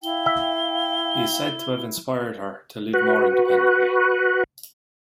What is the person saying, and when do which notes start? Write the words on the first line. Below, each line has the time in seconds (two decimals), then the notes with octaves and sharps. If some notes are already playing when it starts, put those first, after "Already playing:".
He is said to have inspired her to live more independently.
0.03 E4 F5 G5 G7
0.26 E5
2.94 F#4 B4